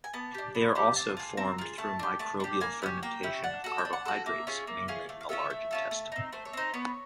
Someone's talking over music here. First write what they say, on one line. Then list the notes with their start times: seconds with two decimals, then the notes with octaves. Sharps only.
They are also formed through microbial fermentation of carbohydrates mainly in the large intestine.
0.04 G#5
0.13 B3 A5
0.34 D4 G4
0.55 B3
0.75 D4 G4
0.96 C4 A5
1.17 F4 G#4
1.37 C4 A#5
1.58 F4 G#4
1.78 A3 A5
1.99 D4 G4
2.19 A3 A5
2.40 D4 G4
2.61 A#3 G#5
2.82 C#4 E4 G4
3.03 A#3 G5
3.23 C#4 E4 G4
3.44 D4 F#5
3.64 F#4 A4 F#5
3.78 G5
3.85 D4
3.93 F#5
4.06 F#4 A4
4.26 A#3 E5
4.47 C#4 F4 G#4
4.67 A#3
4.88 C#4 F4 G#4
5.09 A3 F5
5.21 F5
5.29 C#4 F4 A4 E5
5.50 A3
5.71 C#4 F4 A4
5.91 A3
6.12 C4 D#4
6.33 A3 C5
6.45 C#5
6.53 C4 D#4 C5
6.74 B3 C#5